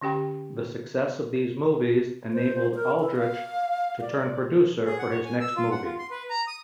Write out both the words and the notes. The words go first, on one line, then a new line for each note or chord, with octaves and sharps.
The success of these movies enabled Aldrich to turn producer for his next movies.
D3 C#4 G4 G5 B5
C5
A#4
E4
F5
D5
G#4
F#5
C#5
G#5
E6
F4
F#5
F4
C6
B4
A#5
D#6